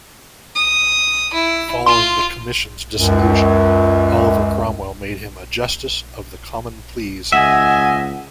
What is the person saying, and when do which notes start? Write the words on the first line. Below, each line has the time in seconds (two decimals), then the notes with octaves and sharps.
Following the Commission's dissolution, Oliver Cromwell made him a Justice of the Common Pleas.
0.55 D#6
1.33 E4
1.86 F4 C6
2.98 C#2 F#2
7.32 C#2 D#5 E5 F#5 G#5